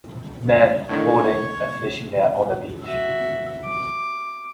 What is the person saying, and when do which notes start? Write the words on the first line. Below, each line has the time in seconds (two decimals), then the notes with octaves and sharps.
Men holding a fishing net on the beach.
0.89 A2 D3 D#3 C#5
2.83 F#4 E5
3.65 D6